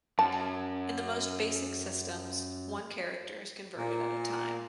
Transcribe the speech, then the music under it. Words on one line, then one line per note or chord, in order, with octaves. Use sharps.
In the most basic systems, one character is converted at a time.
F#2 A5
A#2